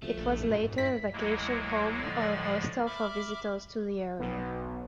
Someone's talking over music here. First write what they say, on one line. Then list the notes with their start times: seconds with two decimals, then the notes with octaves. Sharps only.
It was later a vacation home or hostel for visitors to the area.
0.02 C2 C3 F3 A3
0.18 A#1
0.34 F#2 A2
0.49 A#2
0.62 G#2
0.78 G2 E4 B6
1.13 D2 C3 F#3 G#3 A#3 E4
2.01 A2 D3 F3 G#3 D5 A6
2.86 E5 B5 D6 F6
4.19 B1 B3